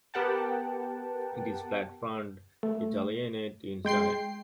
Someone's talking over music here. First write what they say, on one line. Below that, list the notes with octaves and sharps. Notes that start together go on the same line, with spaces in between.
It is "flat front Italianate" in style.
B3 G4 A#4 F#5 G5 A5
A3
G#3 G5 C6 C7